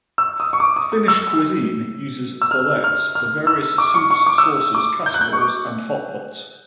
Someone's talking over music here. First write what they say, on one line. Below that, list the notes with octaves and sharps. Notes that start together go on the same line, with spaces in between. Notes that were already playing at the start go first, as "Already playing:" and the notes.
Finnish cuisine uses boletes for various soups, sauces, casseroles, and hotpots.
E6
D#6
C#6
D6
D#6
D#6
E6
E6
F6
F6
F6
E6
D6
C#6
C#6
D6
E6
D#6
D6
G6
F#6
G6
C#6
D6